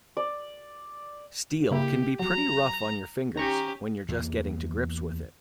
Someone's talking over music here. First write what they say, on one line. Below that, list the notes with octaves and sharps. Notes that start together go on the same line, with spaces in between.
Steel can be pretty rough on your fingers when you're just getting to grips with it.
D5
C#3 A#3 E4 G4
F2 F#3 A#5
D#3 C#4 G4 A#5 C#6
E2 A#3